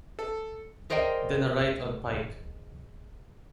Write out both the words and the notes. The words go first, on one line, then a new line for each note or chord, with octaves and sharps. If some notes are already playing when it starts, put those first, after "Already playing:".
Then a right on Pike.
A4
G#4 A#4 C5 D5 D#5 G5